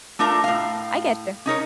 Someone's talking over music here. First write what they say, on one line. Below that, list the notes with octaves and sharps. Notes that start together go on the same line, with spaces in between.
I getcha.
A3 D4 F4 A#4
A2 F5
C#4 D#4 A#4 C#5